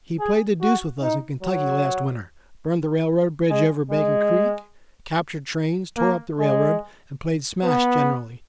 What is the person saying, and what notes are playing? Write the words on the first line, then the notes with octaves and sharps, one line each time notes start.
He played the deuce with us in Kentucky last winter: burned the railroad bridge over Bacon Creek, captured trains, tore up the railroad, and played smash generally.
G#4
F#4
D#4
F#3
G#3
G#3
A#3
G#3
B3